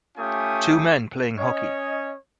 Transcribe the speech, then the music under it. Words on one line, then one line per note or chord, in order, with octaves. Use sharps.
Two men playing hockey.
A3 C#4 F4 G4 G#5 D#6
C#4 C#5 D#5